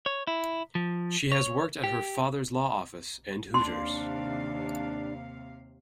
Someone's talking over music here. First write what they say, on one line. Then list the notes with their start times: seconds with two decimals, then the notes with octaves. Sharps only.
She has worked at her father's law office and Hooters.
0.06 C#5
0.27 E4
0.75 F3
1.32 C#5
1.84 G4
3.54 D#2 C3 D4 F5 C6